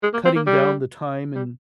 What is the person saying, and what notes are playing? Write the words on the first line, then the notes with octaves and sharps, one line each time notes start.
cutting down the time and
G#3
A#3
C4
A#3
G3
G3